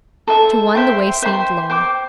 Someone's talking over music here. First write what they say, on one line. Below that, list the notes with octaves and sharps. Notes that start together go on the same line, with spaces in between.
To one the way seemed long.
A4 C5 E5
C5 E5 G5 C6
C5 E5 G5 C6
C5 G5 D6